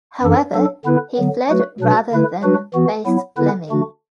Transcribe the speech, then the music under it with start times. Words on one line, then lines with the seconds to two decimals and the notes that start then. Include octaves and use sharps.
However, he fled rather than face Fleming.
0.22 F#2 E3 D4 A4
0.54 F#3 D4 A4
0.85 D3 B3 E4 B4
1.17 D3 F#3 B3
1.49 F#3 A3 F#4 B4
1.81 B2 F#3 D4 B4
2.12 D3 A3 E4 B4
2.43 F#3 D4 F#4 B4
2.74 E3 B3 F#4
3.06 F#3 B3 E4
3.37 D3 B3 E4 B4
3.69 D3 A3 D4 F#4